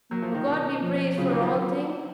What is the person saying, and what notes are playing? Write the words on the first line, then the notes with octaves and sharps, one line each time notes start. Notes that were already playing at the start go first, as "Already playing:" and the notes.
But God be praised for all things!
F#3 A#3
F3
D#3
B2
F3
C#3 F#3
D#3
F3